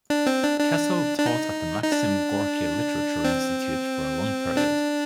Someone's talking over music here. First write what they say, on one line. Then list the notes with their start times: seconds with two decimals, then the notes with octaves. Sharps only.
Kassil taught at the Maxim Gorky Literature Institute for a long period.
0.10 D4
0.26 C4
0.43 D4
0.60 D4
1.18 D4
1.26 D#4
1.83 D#4
1.92 D4
3.25 C4
4.57 D4